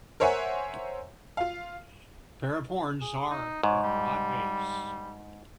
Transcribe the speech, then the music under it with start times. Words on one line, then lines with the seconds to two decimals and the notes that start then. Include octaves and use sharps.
Pair of horns are with broad base.
0.20 A#4 C5 C#5 E5 F#5 G#5
1.37 F4 F5
3.01 G#4
3.30 D#4
3.63 G#2 C#5
3.83 G3